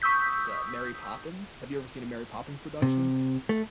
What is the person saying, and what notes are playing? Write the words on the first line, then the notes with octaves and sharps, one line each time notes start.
the Mary Poppins. Have you ever seen a Mary Poppins production?
C#6 D#6 E6 G6 B6
C3
A3